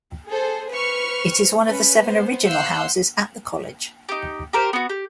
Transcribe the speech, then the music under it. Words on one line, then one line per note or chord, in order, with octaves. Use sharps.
It is one of the seven original houses at the College.
G#4 A4 C5
B4 C5 C#6 F6
C#4 B4
B3 C5
F5 F#5 C6 E6 F#6 G6
D#4 G4
G4 A#4 C5
B3 F#4
G4